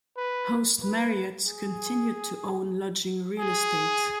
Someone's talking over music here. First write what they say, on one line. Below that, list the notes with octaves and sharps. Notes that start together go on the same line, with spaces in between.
Host Marriott continued to own lodging real estate.
B4
B4
G#4
G#4